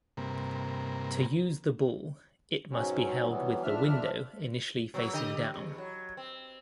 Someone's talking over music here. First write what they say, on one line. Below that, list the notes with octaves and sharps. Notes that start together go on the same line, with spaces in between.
To use the ball, it must be held with the window initially facing down.
G2 C3 A#3
G#2 B2 F#3 C4 C#4
E3 F#3 G3 B3
F2 F3 D4 E5 F6
B2 F#3
D3 G4 D#5
E2
F#3
C4